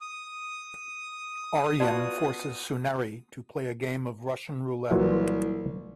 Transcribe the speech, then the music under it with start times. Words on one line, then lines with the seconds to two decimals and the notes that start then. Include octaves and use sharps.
Aryan forces Sunehri to play a game of Russian roulette.
0.01 D#6
1.80 B3 F4 F#4 D5 A5
4.91 C2 A#2 E3 F#3